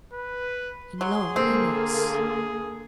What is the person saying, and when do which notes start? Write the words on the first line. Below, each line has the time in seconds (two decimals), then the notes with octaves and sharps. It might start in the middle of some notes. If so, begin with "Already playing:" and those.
In law he knows.
0.13 B4
1.01 F#3 G#4 C6
1.36 D3 A#3 C4